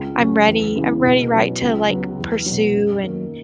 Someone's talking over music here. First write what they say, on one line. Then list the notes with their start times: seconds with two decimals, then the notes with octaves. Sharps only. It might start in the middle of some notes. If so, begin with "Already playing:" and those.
I'm ready I'm ready, right, to, like, pursue and,
Already playing: C#2
0.18 C#3 F#3 C#4
0.47 E2
0.76 C#3 E3 G#3
1.04 B2
1.33 F#3 C#4
1.61 C#2
1.89 C#3 F#3 B3
2.19 E2
2.46 B2 F#3
2.75 F#2
3.04 D#3 A#3 D#4